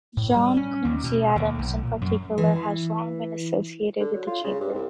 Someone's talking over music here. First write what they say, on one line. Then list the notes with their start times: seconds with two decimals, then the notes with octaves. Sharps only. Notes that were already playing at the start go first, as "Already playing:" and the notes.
John Quincy Adams, in particular, has long been associated with the Chamber.
0.17 A2
0.36 G3
0.57 C#4
0.84 D#2
1.04 B2
1.36 D#2
1.59 B1
1.83 A#2
2.01 F#2
2.38 E3
4.00 D3
4.14 F#3
4.27 F4
4.44 C#3
4.60 G2
4.74 C2